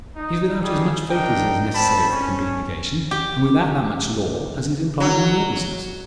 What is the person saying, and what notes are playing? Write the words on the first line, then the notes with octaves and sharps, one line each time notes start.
He's without as much faith as is necessary for complete negation, and without that much law as is implied in lawlessness.
D#4
G3 G#4
D4 D#4 A#4 G5
G3 C4 A5 B5
C#4
G4
F#3